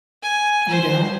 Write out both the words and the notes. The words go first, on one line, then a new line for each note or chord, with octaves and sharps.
You don't?
G#5
C5